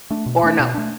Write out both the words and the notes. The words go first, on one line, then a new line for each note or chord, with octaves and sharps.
or no?
A3 D4
B2
A3 D4
B2
A3 D4